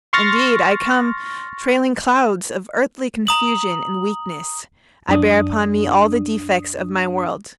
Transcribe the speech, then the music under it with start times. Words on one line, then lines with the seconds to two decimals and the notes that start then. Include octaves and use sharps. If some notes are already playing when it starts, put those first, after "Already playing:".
Indeed, I come, trailing clouds of earthly confusion and weakness; I bear upon me all the defects of my world.
0.13 C6 C#6 F6 A6 A#6
3.27 A#5 D#6 F#7
5.09 F#2 D4 D#6